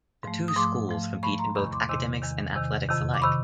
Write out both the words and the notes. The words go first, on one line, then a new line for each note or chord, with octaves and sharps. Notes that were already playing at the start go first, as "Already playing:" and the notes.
The two schools compete in both academics and athletics alike.
G#2 F3 A3
D#6
G#2 F3 A3 C6 D6
G#2 F3 A3
G#2 F3 A3 B5 C#6
A#5 C6
E2 C3 D#3 B5 C#6
C#6
C6 D6
E2 C3 D#3 C6 D6
E2 C3 D#3
E2 C3 D#3
F2 C3 D#3
D6
C3 D#3 B5 C#6